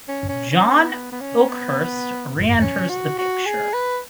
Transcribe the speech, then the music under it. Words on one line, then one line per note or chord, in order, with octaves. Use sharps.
John Oakhurst reenters the picture.
C#4
C#4
C#4
B3
B3
B3
C#4
B3
C#4
F#4
F#4
G#4
B4